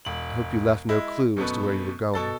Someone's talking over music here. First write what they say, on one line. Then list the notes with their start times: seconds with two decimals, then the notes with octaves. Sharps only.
"I hope you left no clue as to where we were going."
0.05 E1 F#7
0.89 G#3 E4
1.37 F#2 B2 A3 B3
2.14 B2 A4 A6